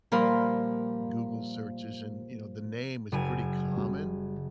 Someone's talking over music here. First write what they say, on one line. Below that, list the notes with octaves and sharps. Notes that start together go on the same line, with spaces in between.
Google searches and, you know, the name is pretty common,
A#2 F3 G3 A#4 B5 C6
F#1 G#5
C#3 F#3 G3